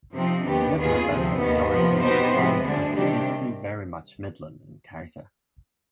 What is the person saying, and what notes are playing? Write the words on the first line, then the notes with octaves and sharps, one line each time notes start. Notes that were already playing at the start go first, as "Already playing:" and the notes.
Nevertheless, the majority of designs continued to be very much Midland in character.
C3 F3 C4 D#4
D#2 D#3 B3 D4 G4
D#2 D#3 B3 F4 G#4
D2 C3 F3 C4
D#2 D#3 B3
C3 F3 B3
B2 B3 D#4 G4 C5
C3 F3 G#3 B3
D2 D3 G#3 D4
C3 D#3 G3 D4 G4